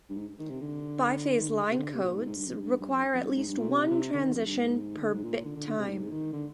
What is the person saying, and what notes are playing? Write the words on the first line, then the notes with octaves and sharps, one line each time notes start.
Biphase line codes require at least one transition per bit time.
G2
G#2
D#3
C3
D3
D#3
D3
C3
D3
C3
A#2
G#2
G#2
G2
F2
G2
G2
F2
F2
G2
G#2
G2
A#2
C3
C3
D3
D#3
F2
G2
G#2
D#3
D3
G#2
A#2
D3
D3
D3
C3
G#2
D#3
D3